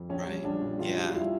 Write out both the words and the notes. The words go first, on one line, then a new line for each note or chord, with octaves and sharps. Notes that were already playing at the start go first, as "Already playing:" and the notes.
Right. Yeah.
Already playing: F2
A#1 C#4
G3
A#1 D4
A#2
A#1 F4
G3
F4
E4